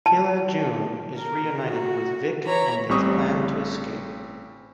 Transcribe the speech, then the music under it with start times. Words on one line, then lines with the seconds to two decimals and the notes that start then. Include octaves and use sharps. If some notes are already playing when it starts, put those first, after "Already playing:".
Quilla June is reunited with Vic and they plan to escape.
0.06 A5
1.17 A#4
1.65 F#4
2.45 E3 C#5 A#5 B5
2.89 A1 G3 C4 C#6 D#6